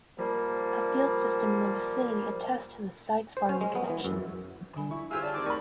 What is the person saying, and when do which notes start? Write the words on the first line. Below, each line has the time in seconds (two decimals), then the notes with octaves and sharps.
A field system in the vicinity attests to the site's farming connections.
0.18 F3 G3 A#3
3.37 C5
3.49 C#4
3.61 G#3
3.75 B3
3.90 E3
4.05 F#2
4.76 D3 G3 G#5 B5
4.91 E4 C#6
5.11 F4 G4 G#4 C5 G#5 E6
5.22 G#4 C#5 D5 A5
5.34 D#3 C4 D6
5.46 A3 D#4 A#4 D5 G5 B5 C#6